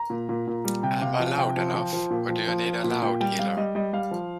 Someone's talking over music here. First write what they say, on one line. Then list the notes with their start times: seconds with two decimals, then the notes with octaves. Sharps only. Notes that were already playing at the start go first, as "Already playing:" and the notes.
Am I loud enough, or do I need a loudhailer?
Already playing: A#5
0.10 A#2
0.29 A#2
0.47 A#2
0.65 G3
0.83 C3 G5
1.01 C3 F5
1.14 D#5
1.19 F3 F5
1.38 C3 G5
1.57 F3
1.74 F3
1.93 F3
2.10 A#2
2.29 F3
2.47 F3
2.66 F3
2.84 A#2
3.02 A#2 G5
3.20 G3 G5
3.39 G3 F5
3.57 G3 D#5
3.75 G3 D#5
3.93 G3 F5
4.11 F3